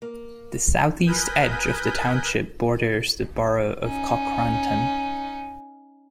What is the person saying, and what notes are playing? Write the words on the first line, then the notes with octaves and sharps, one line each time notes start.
The southeast edge of the township borders the borough of Cochranton.
A#3
A#4 B4 G#5 B5 D#6 G6
C#4 D#4